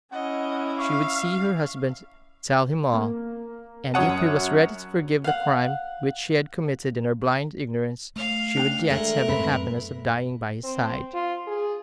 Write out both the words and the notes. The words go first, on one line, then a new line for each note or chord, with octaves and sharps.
She would see her husband, tell him all, and, if he was ready to forgive the crime, which she had committed in her blind ignorance, she would yet have the happiness of dying by his side.
C#4 E4 D#5 F#5
E5 F5 C#6 D6
A#3
F#2 C#5 F#5 A5 D#6 D#7
F5 F#5
A3 F5 F6
D4 G5
G#3 A3 A#4 F#6
F#2 A2 C4 B4 B5
C4
F4
G#4